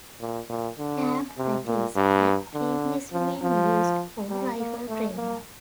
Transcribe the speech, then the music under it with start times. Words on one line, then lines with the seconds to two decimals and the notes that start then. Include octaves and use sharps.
Camp Matthews had previously been used for rifle training.
0.20 A#2
0.49 A#2
0.78 D3
1.38 C3
1.66 A#2
1.96 G2
2.54 D3
3.12 F3
3.42 F3
4.29 G3
4.58 A#3
4.88 A3
5.16 A#3